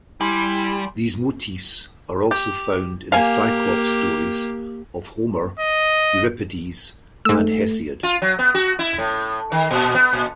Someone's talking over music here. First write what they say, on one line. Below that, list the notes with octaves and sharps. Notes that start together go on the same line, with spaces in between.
These motifs are also found in the cyclops stories of Homer, Euripides, and Hesiod.
G3 E4 G#5 B5 C6
G4
A#3 G4 F5 G#5
D#5
G#2 A3 E6
F4
F#3
B3
F#4
E4
A2
D#3
A#2
B3
A#2